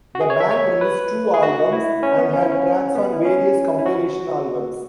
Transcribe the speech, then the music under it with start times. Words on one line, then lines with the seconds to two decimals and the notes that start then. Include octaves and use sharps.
The band released two albums and had tracks on various compilation albums.
0.15 F#4
0.21 G#4
0.30 C#5
0.40 E5
0.51 C#5
0.81 B4
1.34 G#4
1.43 F#4
1.72 E4
2.03 C#4
2.18 B3
2.33 C#4
2.42 E4
2.52 C#4
2.95 B3
3.13 E4
3.25 C#4
3.79 E4
3.86 F#4